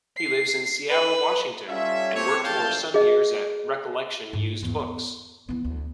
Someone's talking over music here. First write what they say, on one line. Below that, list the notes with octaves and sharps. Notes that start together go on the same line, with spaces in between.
He lives in Seattle, Washington, and worked for some years at Recollection Used Books.
C7
B4
G3 C#4 F4 A4 C#5 E5
C4 G4 A4 C5 C#5
A1 F2 A3 F5 G5 A5
G#4 D#5
G#2
E2
B3
E3 B3
D2